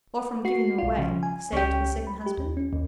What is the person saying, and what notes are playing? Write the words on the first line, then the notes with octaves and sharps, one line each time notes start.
"Or from giving them away,--say to a second husband."
F#4 C7
B1 F4
C#3 F3
G#5
C#2 C#4 G4
B5
G4
D#2
C#4
D#2